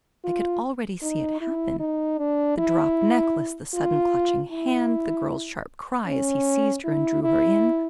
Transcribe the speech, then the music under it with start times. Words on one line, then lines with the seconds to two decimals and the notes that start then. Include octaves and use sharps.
I could already see it happen--the dropped necklace, the sudden clutching hand, the girl's sharp cry as he seized her and drew her in.
0.24 F4
1.02 D#4
1.41 E4
1.80 D#4
2.18 D4
2.57 E4
3.74 F4
4.52 E4
6.06 C#4
6.84 E4
7.23 E4